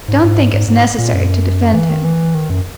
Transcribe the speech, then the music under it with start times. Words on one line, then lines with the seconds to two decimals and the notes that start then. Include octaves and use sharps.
Don't think it's necessary to defend him.
0.08 G#2
0.23 G#2
0.53 G#2
0.68 G#2
0.98 A#2
1.14 F#2
1.74 E3
1.89 D#3
2.04 E3
2.35 D#3
2.50 F#2